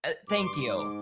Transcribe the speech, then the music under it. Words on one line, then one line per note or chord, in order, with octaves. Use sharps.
Uh, thank you.
G2 D6
C6
D6
G#2 C6
D6